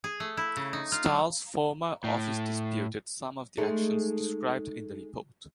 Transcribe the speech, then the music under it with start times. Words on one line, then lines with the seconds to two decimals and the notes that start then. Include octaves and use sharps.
Stull’s former office disputed some of the actions described in the report.
0.04 G#4
0.20 A3
0.37 E4
0.57 C#3
0.73 D#4
0.92 F4
1.05 F#3
2.04 A2
3.58 G#3 A3 D#4